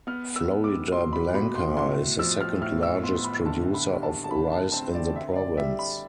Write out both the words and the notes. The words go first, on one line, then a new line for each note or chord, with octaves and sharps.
Floridablanca is the second largest producer of rice in the province.
B3 F6
E6
B3
D6
B2 C6
B5
B2 B5
C6
A2 C6
F3 E6
F6
A2 F6
E6
B3 C6
B5
D3 A5
B5
G3
A5
A5
D3 B5
A5
C4 A5
D5
D3 E5
D5
G3 E5
B5